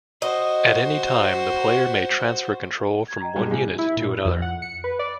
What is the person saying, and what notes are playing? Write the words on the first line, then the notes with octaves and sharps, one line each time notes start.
At any time, the player may transfer control from one unit to another.
F#4 C5 D#5
G#6
D#5 G5 A#5
G2 F#3 G#3
G#2 C3 F4 G#5
E4
A#2
F2
F#5
C#7
B4
D5